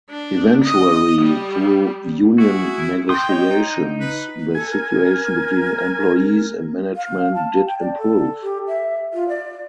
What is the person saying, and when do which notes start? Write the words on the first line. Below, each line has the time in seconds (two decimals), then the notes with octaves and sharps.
Eventually, through union negotiations, the situation between employees and management did improve.
0.10 D4
0.64 D#5
1.21 G3
2.38 E4 F#4 G#4
3.09 G5 C6 D#6
3.29 C#5 D#5
3.51 D#4
4.00 B4
4.55 A4 G#5
4.70 A#4
6.96 F5
7.35 A5
7.67 G5
7.80 D5
7.98 A4
8.43 G4
8.68 E5
9.14 F4
9.29 D5